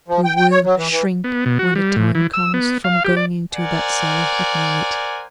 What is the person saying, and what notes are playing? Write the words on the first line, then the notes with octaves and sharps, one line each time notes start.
"You will shrink, when the time comes, from going into that cellar at night."
F3
G5
G5
C#5
F#3
E3
E3
B3
B2
F#4
G3
A2
E3
E6
B3
F5
G4
D5
A#4 C5 D5 F#5 G#5